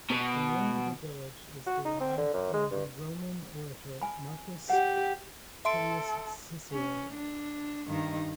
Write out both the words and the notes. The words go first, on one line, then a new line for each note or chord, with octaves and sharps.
The name of the village is derived from the Roman orator Marcus Tullius Cicero.
B2
F#4
D#4
C4
D3
F#2
G#3
G2
G#5 B5
G4 F#5
A4 E5 C6 D7
C#4
D4
G2 D#3 D#4